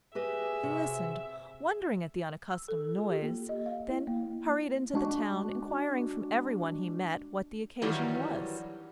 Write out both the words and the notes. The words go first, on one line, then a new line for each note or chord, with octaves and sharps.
He listened, wondering at the unaccustomed noise, then hurried into the town, inquiring from every one he met what the occasion was.
G4 G#4 B4 D#5 E5
C3 F#4
E6
A4
F4
G4
A#3
D#5
F5
E4
A#3
G#3 D4 F#4
G2 D#3 E3 F#3 G3